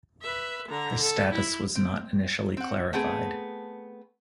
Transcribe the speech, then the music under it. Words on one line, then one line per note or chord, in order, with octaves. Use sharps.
Her status was not initially clarified.
B4 E5
D3 A#5
A4
E4
C4
C4 F#5
A3 B3 C4 G#4